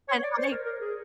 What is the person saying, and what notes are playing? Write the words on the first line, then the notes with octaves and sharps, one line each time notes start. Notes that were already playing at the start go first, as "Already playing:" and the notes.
and I
C#5
D5
C5
A#4
A#4
G#4